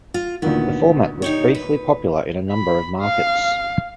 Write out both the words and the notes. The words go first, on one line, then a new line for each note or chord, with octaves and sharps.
The format was briefly popular in a number of markets.
F4
D2 A#2 D#3 B3
D#4 G4 C#5
B4
B5
F5